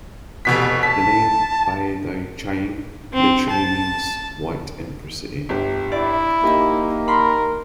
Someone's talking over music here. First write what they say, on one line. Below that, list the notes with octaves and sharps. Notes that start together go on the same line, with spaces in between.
The name "Baidicheng" literally means White Emperor City.
F1 B2 B6
A5 B6
C4
A5
G1 G4
E4 D5 D6
A#3 D#4 G4
A#4 B5 C6